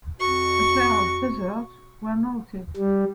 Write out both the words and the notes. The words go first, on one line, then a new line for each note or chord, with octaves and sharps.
A pair of Buzzards were noted.
F2 F#4 C#6
G3